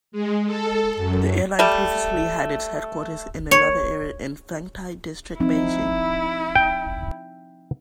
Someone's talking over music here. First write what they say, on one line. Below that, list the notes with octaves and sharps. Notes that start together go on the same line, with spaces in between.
The airline previously had its headquarters in another area in Fengtai District, Beijing.
G#3
A4
F#2
G3 A3
C#5
F3 C4 D#4 E4
G5